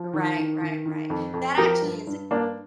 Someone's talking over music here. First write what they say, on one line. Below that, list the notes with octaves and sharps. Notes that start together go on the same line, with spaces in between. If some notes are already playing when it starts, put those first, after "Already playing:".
Right, right, right. That actually is a
Already playing: F3
D#3
D#3
D#3
D#3
F2
F2
F3 G4 A#4
G2
G2
G2 A#3 D4